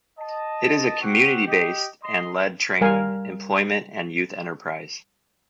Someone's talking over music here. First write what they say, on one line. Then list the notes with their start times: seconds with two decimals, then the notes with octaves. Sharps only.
It is a community-based and led training, employment and youth enterprise.
0.19 D#5 A5
1.01 C4 F#4 G4 F#5
1.46 G4 D#5
2.03 D#5 C6
2.81 G3 A#4 F5 G#5